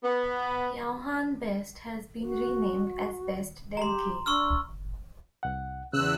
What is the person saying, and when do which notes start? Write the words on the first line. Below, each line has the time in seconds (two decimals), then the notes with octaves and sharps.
Yaohan Best has been renamed as Best Denki.
0.03 B3
2.21 F#4
3.77 G4 A#5 C6
4.26 D4 C#6 E6 F6
5.43 C2 F#5
5.93 E2 C#3 E6 F#6